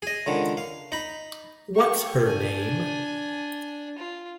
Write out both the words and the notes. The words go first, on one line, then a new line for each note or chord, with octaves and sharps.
What's her name?
G#4 D#5
C#2 D3 D#3
F5
D#4 B5
G4 C#6
D4 G#5
F4